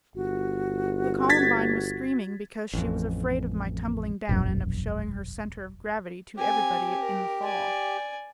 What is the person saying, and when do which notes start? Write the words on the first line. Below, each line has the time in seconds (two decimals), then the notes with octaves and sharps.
The Columbine was screaming because she was afraid of my tumbling down and of shewing her centre of gravity to everybody in the fall.
0.15 G1 F#4
1.29 G#6 A6 B6
2.73 A1 F2
4.29 E1 A#1 F#2
6.37 C4 G4 G#5
7.00 A#4
7.43 D5 G#5